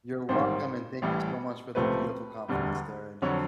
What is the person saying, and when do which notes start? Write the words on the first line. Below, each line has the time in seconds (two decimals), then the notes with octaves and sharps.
You're welcome and thank you so much for the beautiful compliments there, and, uh,
0.29 A1 G#2 D#3 G3 C5
1.02 A1 A2 E3 G3
1.75 C#2 C3 F3 A3 C4 B4
2.48 E1 D2 D3 G3
3.22 F2 D3 F#3 C#5